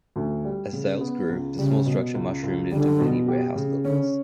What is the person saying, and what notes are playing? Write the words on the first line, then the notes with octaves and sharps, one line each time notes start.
As sales grew, the small structure mushroomed into many warehouse buildings.
D2
G3
C#3
B3
C#2
C#3 G3
B2
C#2
C#2
D3 G3
B2
G4
C#3
D3 C#4